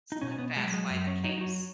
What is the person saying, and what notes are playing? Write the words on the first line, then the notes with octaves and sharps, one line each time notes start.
SlimFast by the case.
D#4
B2 C#4
C#4
B3
F#3 G#3
G#3
F#2
C#4
F#3 D#4
D#4
F#4